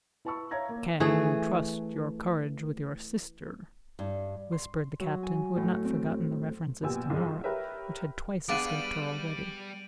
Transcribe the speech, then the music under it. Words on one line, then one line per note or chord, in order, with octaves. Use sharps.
"Can you trust your courage with your sister?" whispered the captain, who had not forgotten the references to Norah which had twice escaped her already.
E4 B4 A5 B5 C#6 E6
C#5 E5 F5 A#5 G#6 A#6
A#3
E3 A3 G#4
G2
C6
F#3
G#5
A2
C4
A#1 B2 A#3 G4 G#5 E6
C2 F#2 G#3
F4
G4 A#4 B4 C#5 E5
G3 B3 D4 G#4 F5 D7 D#7 F#7